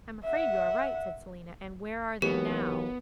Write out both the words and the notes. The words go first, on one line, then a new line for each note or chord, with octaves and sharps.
'I am afraid you are right,' said Selina; 'and WHERE ARE THEY NOW?'
E5 F#5
D#2 E3 F#3 A#3 B3 G4